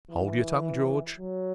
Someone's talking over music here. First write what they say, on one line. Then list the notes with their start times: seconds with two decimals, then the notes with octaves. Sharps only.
Hold your tongue, George!
0.10 E3
1.18 F#3